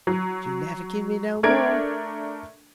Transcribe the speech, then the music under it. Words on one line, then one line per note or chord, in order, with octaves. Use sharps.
"She never give me no more."
F#3
A3 D4 A#4 G#6 D7